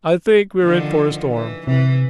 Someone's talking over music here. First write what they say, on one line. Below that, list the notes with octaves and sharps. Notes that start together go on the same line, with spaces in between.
"I think we're in for a storm."
D3 D#3 F3
E3
C3 E3